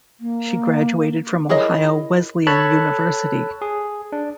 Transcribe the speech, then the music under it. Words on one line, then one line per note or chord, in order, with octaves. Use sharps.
She graduated from Ohio Wesleyan University.
A#3
E4 G#4 A#4 C#5 D#5
A4 C#5 A5 B5 F#6
G#4
D4